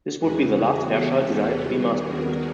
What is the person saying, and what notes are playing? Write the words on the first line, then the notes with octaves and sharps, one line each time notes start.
This would be the last Fairchild design to be mass-produced.
E2 C#3 E3 G#3 B3 F#4 G#4
G4 A4
D#2 D#3 G3 B3 F#4 G#4
G#4 A#4